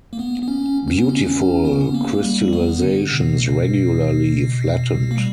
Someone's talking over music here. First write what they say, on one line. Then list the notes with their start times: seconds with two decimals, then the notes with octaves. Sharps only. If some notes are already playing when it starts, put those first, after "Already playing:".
Beautiful crystallizations regularly flattened.
0.13 A#3
0.19 B3
0.43 B3
0.48 C#4
0.88 C#4
0.98 B3
1.09 C#4
1.65 B3
1.73 C#4
1.81 B3
1.94 A#3
2.24 G3
2.53 B3
2.82 D3
3.12 B2
5.11 A#3
5.17 G3